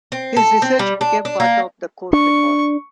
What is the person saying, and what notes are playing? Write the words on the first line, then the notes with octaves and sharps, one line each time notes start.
His research became part of the court record.
C4
A4
C4
G3
D4
D4
A#3
D4 C#6